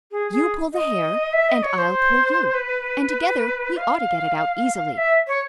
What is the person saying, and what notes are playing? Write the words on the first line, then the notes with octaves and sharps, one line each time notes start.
"You pull the hair, and I'll pull you, and together we ought to get it out easily."
G#4
G#4
D#5
E5
D#5
C#5
C5
B4
F5
E5
C#5